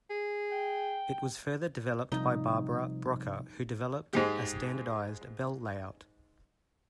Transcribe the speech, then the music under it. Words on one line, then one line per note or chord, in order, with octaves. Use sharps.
It was further developed by Barbara Brocker who developed a standardized bell layout.
G#4
G5
C3 F3 G3 D#4
G#2 G#3 G4